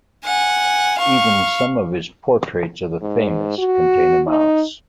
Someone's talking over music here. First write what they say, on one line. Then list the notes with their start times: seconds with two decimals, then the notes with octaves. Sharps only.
Even some of his portraits of the famous contain a mouse.
0.25 F#5 G#5
0.98 F5 C#6
3.02 G#2
3.58 F#4
4.28 D#4